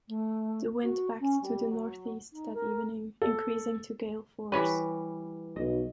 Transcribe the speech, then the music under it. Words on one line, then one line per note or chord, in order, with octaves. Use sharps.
The wind backed to the northeast that evening, increasing to gale force.
A3
F#4
C#4
G3
F#3
D#4
A#4
A4
E3 G3 B4 C#5 B5
B1 D#5